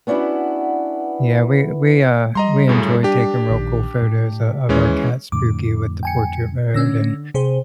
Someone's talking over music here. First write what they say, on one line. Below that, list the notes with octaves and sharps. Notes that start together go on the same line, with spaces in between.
yeah, we we, uh we enjoy taking real cool photos o of our cat, Spooky, with the portrait mode, and,
B3 C#4 D4 E4 F#4
G3 D#5 A#5 C6
F#2 A2 C#3
D4 G4
A#1 D#3
A2
D#2 E3 G#3 C#4
F2 A2 D3 D6
G5 G#5 C#7
D3 C#4 E6 A#6
C3 G#4 C5